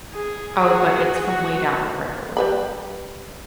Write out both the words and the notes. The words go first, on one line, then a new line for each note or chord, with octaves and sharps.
Oh, but it's from way down the road.
G#4
F#4 G#4
F#4
G3 B4 B5